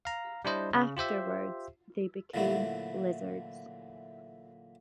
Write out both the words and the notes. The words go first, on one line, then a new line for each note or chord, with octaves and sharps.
Afterwards, they became lizards.
F5 A#5
G3 D4 E4 C5 D#5
C#3
F4 G4 C5 E5
A#2 D3 E3 F#3 A3 E4